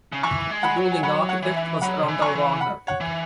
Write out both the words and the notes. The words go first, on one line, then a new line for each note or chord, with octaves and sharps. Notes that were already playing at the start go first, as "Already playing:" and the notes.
The building architect was Randall Wagner.
C#3
E3 G#5 C#6
G#3
F#5 B5
F#3
G#5
F#3 F#5 B5
C#5 F#5
E3
E5 G#5
F#3 F#5 B5
C#3
E3
F#3 G#5 C#6
E3
F#5 B5
C#5 F#5
E3